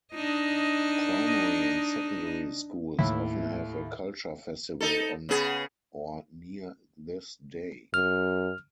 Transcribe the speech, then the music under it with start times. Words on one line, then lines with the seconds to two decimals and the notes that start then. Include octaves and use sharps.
Primary and secondary schools often have a "culture festival" on or near this day.
0.14 D4 D#4 D#5
2.99 D#2 A2 E4
4.81 D#4 A4
5.29 C#3 B3 G#4
7.94 F#2 F6